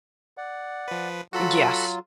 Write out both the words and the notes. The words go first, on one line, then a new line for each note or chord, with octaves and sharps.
Uh, yes.
D5 F#5
F3 B4
F#3 F4 F#4 A4 B5